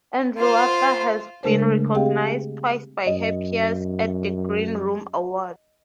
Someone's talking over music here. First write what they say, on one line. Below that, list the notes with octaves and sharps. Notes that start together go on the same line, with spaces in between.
Andrewartha has been recognised twice by her peers at the Green Room Awards.
F4 C5
C#3 G#3 A3 D4 A#4 C5
C4 G4 G#4 D#5 F5 G5
F#2 D#5